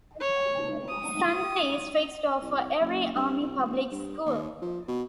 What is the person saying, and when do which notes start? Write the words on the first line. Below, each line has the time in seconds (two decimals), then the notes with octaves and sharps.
Sunday is fixed off for every Army Public School.
0.20 C#5
0.89 D#6
2.42 C2
2.80 F#1
3.15 G2
3.40 C2
3.58 E1
3.91 G2
4.26 D#2
4.62 F3
4.88 B2